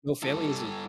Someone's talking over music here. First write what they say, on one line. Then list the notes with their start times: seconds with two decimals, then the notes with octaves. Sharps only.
no family is a
0.23 G2 A4